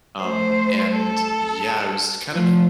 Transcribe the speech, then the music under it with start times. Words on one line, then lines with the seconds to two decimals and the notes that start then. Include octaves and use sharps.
Um, and yeah, it was kind of
0.23 A3 C5
0.97 A4
2.34 F3 A3